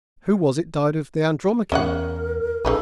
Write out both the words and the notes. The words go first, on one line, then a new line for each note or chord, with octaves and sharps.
Who was it died of "The Andromache"?
E2 C#4 A#4 D#5 F#5
A#1 C#3 D#4 A4 B4